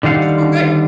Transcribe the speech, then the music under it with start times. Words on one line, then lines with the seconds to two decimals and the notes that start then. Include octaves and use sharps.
All right.
0.03 D3 D#3 G3 F5 F#5